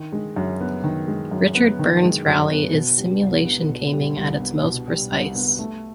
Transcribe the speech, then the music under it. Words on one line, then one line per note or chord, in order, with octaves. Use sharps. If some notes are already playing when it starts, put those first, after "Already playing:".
Richard Burns Rally is simulation gaming at its most precise.
Already playing: D#3
G#3
F#2
B3
D#3
G#3
F#2
B3
D#3
G#3
F#2
B3
B2
G3
C2
B3
B2
G3
C2
B3
B2
G3
C2
B3
A3